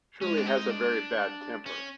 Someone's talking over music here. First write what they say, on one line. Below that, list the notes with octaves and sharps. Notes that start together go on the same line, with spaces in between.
Shirley has a very bad temper.
G#3 C#4
D4
D#4
D4
C#4